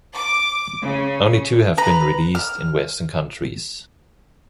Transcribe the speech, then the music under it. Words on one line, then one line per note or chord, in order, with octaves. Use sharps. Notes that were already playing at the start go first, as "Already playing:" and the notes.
Only two have been released in Western countries.
D6
C#3
B4 A#5
F6